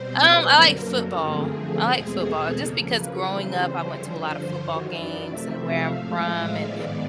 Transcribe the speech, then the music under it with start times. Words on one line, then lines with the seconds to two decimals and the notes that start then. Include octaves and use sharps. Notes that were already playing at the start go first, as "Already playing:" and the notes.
Um, I like football. I like football just because growing up, I went to a lotta football games, and where I'm from and,
Already playing: B2 G3 C4 C5
0.16 B4
0.50 F#2 D3 F#3 A#3 A#4
0.84 A4
1.18 G2 D3 F3 A3 C4 G#4
1.86 E2 B2 G#3 C4 G#4
2.20 A4
2.53 C#3 F3 A#3 A#4
2.88 B4
3.22 C#3 E3 G3 C4 C5
3.89 G2 D3 F3 C#5
4.24 C5
4.57 F#2 D#3 F#3 C#5
4.93 D5
5.26 C3 F3 A3 C4 E5
5.60 F5
5.94 A2 F3 G#3 F5
6.27 E5
6.62 G#2 D#3 G#3 B3 D5